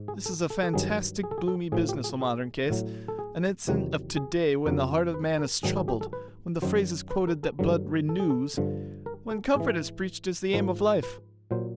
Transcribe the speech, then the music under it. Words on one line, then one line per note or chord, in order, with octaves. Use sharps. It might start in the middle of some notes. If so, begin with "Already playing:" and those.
This is a fantastic, gloomy business, a modern case, an incident of to-day when the heart of man is troubled, when the phrase is quoted that blood 'renews,' when comfort is preached as the aim of life.
Already playing: G#2
G#4
A4
A4
A4
G2 D#3 F#3 G#4
G#4
A4
G#4
A4
A2 F3 G#4
G4
G#4
G#4
A2 F#3
A4
G#4
E2 C3 D#3 F#3
G#4
F2 C#3 F#3 A#4
B4
A#4
G#2 D#3 F#3 G#4
G#4
G4
A4
B4
F#2 D#3 F#3 C5
B4
A#4
A4
G2 D3 F#3
A4
G#4
A4
G2 D3 F3
A#4
A4
G#2 E3 G#4
G#2 F3 A#4
B4
A#2 F#3 C5